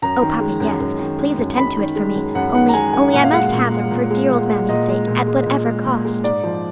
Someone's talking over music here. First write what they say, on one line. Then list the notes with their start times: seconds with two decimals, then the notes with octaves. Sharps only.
"O papa, yes; please attend to it for me--only--only I must have him, for dear old mammy's sake, at whatever cost."
0.02 F#2 A#5
0.21 D#3
0.40 G#3
0.60 F#2
0.80 F#2
0.99 D#3
1.19 G#3
1.38 F#2
1.58 F#2 B5
1.77 D#3
1.96 G#3
2.15 F#2
2.35 F#2 F#5
2.55 D#3 F#5
2.69 A#5
2.74 G#3 G#5
2.93 F#2 G#5
3.13 A#2 F#5
3.23 F5
3.33 G#3 F#5
3.52 A#2
3.71 G#3
3.91 A#2
4.11 G#3
4.30 A#2
4.49 G#3
4.68 A#2 D#5
4.88 G#3
5.07 A#2
5.27 G#3
5.46 A#2
5.65 G#3
5.85 A#2
6.05 G#3
6.24 G#2 D5
6.43 F3